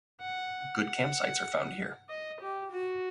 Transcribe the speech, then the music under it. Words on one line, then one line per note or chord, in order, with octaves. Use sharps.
Good campsites are found here.
F#5
F#5
D#5
G4
F#4